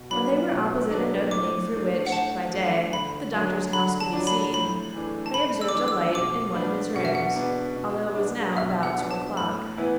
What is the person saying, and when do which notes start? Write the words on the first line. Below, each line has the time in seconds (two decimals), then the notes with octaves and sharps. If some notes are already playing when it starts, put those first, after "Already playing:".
When they were opposite an opening through which, by day, the doctor's house could be seen, they observed a light in one of his rooms, although it was now about two o'clock.
Already playing: B2
0.10 F#3 B3 D4 B5
0.51 B2
0.91 F#3 B3 D4
1.31 A2 D6
1.71 A3 D4
2.07 F#5
2.12 A2 A5
2.53 A3 D4
2.92 D3 B5
3.33 F#3 D4
3.73 D3 B5
4.00 A5
4.13 F#3 D4
4.27 B5
4.54 A2 B5
4.94 E3 A3 D4
5.26 A5
5.34 A2 B5
5.61 E6
5.69 D6
5.74 E3 A3 D4 E6
5.88 E6
6.15 B2 D6
6.55 B3 D4 B5
6.95 B2 F#5
7.05 E5
7.15 F#5
7.36 B3 D4
7.76 B2
8.16 B3 D4
8.57 B2 E5
8.83 F#5
8.97 B3 D4
9.11 A5
9.37 A2 B5
9.77 E3 B3 E4